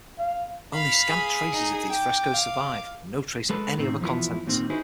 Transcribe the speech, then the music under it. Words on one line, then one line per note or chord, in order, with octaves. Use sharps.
Only scant traces of these frescoes survive, and no trace of any other contents.
F5
F5 B5
G#4
D#4
G5 D6
F5
G#3 A4 B4
A2 D#3 C4
F2 E3 F3 B3 E4
D#2 A#2 D#3 C4
D#4 E4 F#4 G#4 B4 C5